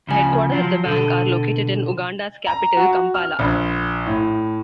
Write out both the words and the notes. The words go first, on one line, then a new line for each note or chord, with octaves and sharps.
The headquarters of the bank are located in Uganda's capital, Kampala.
D2 C#3 F3 G#5
F3 F#3 F4
B2 D3 A4
A#5
F#4
F6
A#1
A2